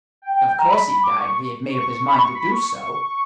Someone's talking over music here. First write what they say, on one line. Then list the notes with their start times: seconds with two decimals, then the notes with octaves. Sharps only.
"Of course he died, if he had made up his mind to do so."
0.22 G5
0.34 G5
0.47 G5
0.59 A#5
0.70 B5
0.87 B5
1.04 D6
1.20 C#6
1.70 C#6
2.08 B5
2.19 C#6
2.35 B5
2.52 C#6
2.68 C#6